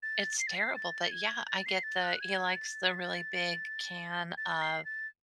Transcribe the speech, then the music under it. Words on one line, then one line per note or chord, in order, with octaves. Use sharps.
it's terrible. But, yeah, I get the he likes the really big can of,
A6
C7
A6
C7
A6
G#6
A6
C7
A6
F#6
G#6
A6
A6
C7
A6